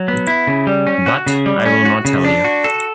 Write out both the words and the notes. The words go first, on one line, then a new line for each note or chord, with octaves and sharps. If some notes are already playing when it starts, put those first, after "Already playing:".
But I will not tell you.
Already playing: F#3
B3
E4
C#3
G3
C#4
F#4
C#3
G3
C#4
F#4
C#3
D4
F#4
A4